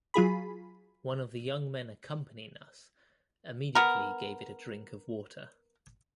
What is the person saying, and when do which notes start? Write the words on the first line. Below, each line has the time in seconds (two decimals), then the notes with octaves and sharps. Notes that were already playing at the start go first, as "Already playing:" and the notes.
One of the young men accompanying us immediately gave it a drink of water.
0.14 F#3 F4 G#4 B5
3.75 B3 A#4